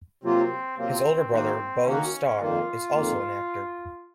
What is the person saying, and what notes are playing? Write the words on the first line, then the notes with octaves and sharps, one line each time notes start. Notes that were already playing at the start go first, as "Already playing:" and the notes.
His older brother Beau Starr is also an actor.
C3 F#3 A#3 C4 F4
C3 F#3 A#3 C4 F4
D#3 A#3 D#4 F#4
D#3 A#3 C#4 D#4 F#4
F2 D#3 A#3 F4
F2 D#3 A#3